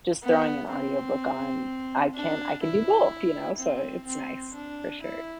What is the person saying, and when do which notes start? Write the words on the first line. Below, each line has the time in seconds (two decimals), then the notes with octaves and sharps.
just throwing an audiobook on, I can I can do both, you know, so it's nice, for sure.
0.23 B3
0.71 C4
2.15 D4
2.63 E4
3.59 C4
4.07 C4
4.55 D4
5.02 E4